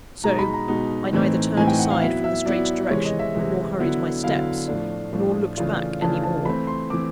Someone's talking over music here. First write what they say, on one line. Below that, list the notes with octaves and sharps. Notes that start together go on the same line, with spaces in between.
So, I neither turned aside from the straight direction, nor hurried my steps, nor looked back any more.
B2 G#3 B3 D#4 A#5
B5
A#5
B2 G#3 B3 D#4
A2 E3 A3 C4 D#4
A2 E3 A3 C4 D#4 G#5
G5
F#5
F5
F#3 B3 E4 E5
E5
F#3 B3 E4 D5
C3 E3 G#3 C#5
D#5
E5
C3 E3 G#3
D3 F#3 B3 E4
D3 F#3 B3 E4 F5
A2 F3 A3 D4
A2 F3 A3 D4
C#3 E3 A3 D4 F4
C#3 E3 A3 D4 F4 A5
A5
E3 A3 C4 B5
C6
E3 A3 C4 D6